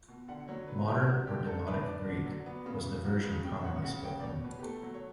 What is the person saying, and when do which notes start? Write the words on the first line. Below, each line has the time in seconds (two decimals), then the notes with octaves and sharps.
Modern or Demotic Greek was the version commonly spoken.
0.08 B2
0.28 D3 F#5
0.48 F#3 C#5
0.68 D3 B4
0.88 D3 G4
1.07 G3 F#4
1.27 D3 G4
1.47 D3 A4
1.67 D4 B4
1.86 D4 D5
2.06 D3
2.26 F#3
2.46 B3
2.66 C#3
2.86 C#3
3.05 F#3
3.25 C#3
3.44 C#3 G5
3.64 C#4 F#5
3.84 C#3 F#5
4.04 C#4 G5
4.20 D5
4.23 B2 C#5
4.44 B2 B4
4.59 G4
4.63 A3 A4
4.83 F#3
4.94 C#5